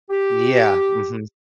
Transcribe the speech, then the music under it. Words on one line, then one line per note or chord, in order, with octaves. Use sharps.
Yeah. Mhm.
G4